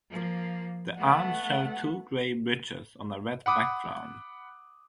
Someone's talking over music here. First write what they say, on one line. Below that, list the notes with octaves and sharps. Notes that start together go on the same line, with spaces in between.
The arms show two grey bridges on a red background.
F3 A#3
A3 B3 F#5
F#5 B5 D6 D#6